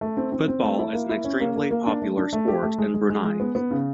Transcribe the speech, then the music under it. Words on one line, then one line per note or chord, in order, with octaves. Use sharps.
Football is an extremely popular sport in Brunei.
A3
C4
C4
C4
A3
E4
A#3
E4
C#4
A#3
A#3
A#3
D4
A3
D4
A3
G4
A3
G#3
G#3
G#3
G#3
B3
B3
C#3